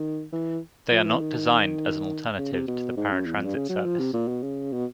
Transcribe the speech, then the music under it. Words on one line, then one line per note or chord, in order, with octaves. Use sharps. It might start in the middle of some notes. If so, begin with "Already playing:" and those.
They are not designed as an alternative to the paratransit service.
Already playing: D#3
E3
F3
E3
D#3
C#3
C3
B2
G#2
F#2
E2
F2
G2
C#3
F#3
F3
C3
A#2
B2
C#3
B2